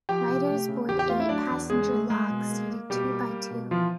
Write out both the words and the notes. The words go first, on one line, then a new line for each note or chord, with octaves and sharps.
Riders board eight-passenger logs, seated two by two.
F3 G4 G5
C3
A3
C#3
E2 G4 G5
G4 G5
A3 F4 F5
E4 E5
F#3 D4 D5
E2
C#3 G#3 G#4
A3
G#3 A#3 G#4
B2
A#3
A#3
B2 G3 G4
A#3
A#3
B2
E3 F3 F4